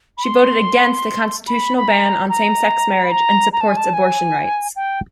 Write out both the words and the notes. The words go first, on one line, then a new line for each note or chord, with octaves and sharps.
She voted against a constitutional ban on same-sex marriage and supports abortion rights.
B5
C6
B5
B5
A#5
A#5
B5
A#5
A#5
A5
G#5
A5
G#5
G5